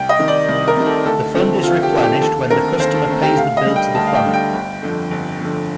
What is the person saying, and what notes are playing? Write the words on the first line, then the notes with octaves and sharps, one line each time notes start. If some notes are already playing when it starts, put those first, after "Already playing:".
The fund is replenished when the customer pays the bill to the fund.
Already playing: C2 G5
D#5
C3 D#3
D5
C2
A#4
C3 D#3
A4
D2 A4
D3 F3 A3 C4
D2 F4
G4
D3 F3 A3 C4
G4
D#2 A4
D3 A3 C4 A#4
D#2 C5
A4
D3 A3 C4
G4
D2 F5
D#5
D3 G3
G5
D2 A5
F5
G5
D3 G3
G5
G1
F2 D3
G1
F2 D3